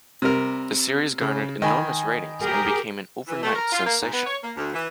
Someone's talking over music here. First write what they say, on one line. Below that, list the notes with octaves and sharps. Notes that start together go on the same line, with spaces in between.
The series garnered enormous ratings and became an overnight sensation.
C3 G3 A#4
C#3
D#3 D#5 G#5 B5
G4 G#4 A#4
E3
A3
A#4
F4
A#3
G#2
B3
C#5
A#3
D2
E3